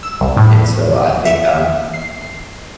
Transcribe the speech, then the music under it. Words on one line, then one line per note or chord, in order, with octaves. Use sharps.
and so I think, um
E6
C2
A2
E5
C7